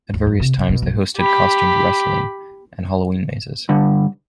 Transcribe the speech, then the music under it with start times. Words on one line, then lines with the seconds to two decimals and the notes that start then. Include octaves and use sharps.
At various times they hosted costumed wrestling and Halloween mazes.
0.13 D#2
0.26 F#2
0.40 C3
0.58 C3
0.70 B2
0.82 B1
1.17 G4 B5
3.69 G2 D3